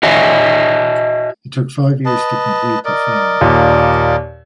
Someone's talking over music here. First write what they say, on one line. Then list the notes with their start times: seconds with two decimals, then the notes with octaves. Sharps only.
It took five years to complete the film.
0.03 F#4 C#5 D#5 E5 G#5
2.06 B4 D#5 A5
2.85 A#4 D5 D#5
3.41 D#2 A#2